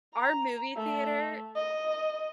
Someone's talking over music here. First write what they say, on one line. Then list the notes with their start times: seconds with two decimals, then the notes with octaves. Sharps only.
our movie theater?
0.14 A#5
0.76 A3
1.56 D#5